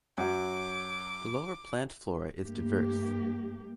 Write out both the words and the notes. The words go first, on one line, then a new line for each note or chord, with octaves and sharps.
The lower plant flora is diverse.
F#2 F#3 D6
G2 A3 A#3 G4